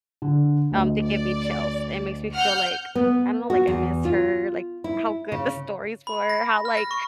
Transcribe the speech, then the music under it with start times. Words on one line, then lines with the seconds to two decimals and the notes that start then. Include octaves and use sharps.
um, they give me chills. It makes me feel like I don't know like, I miss her, like, how good the stories were, how, like
0.22 D3
0.71 D2 D#5
1.04 D5
2.34 F#5 F6 G6
2.95 B3
3.50 F#4
3.67 E2
4.05 F4
4.84 E4
5.32 C#3
6.07 B5
6.29 A#6
6.65 F6
6.77 A#6
6.91 C#6